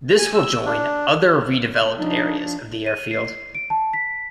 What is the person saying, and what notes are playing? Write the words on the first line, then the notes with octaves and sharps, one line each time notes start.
This will join other redeveloped areas of the airfield.
G#5
E6
D4
F3 D4 D#4
D#7
C7
D7
A5
B6